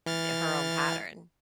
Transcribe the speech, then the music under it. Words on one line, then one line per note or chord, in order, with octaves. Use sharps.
the her own pattern
E3 F6 A6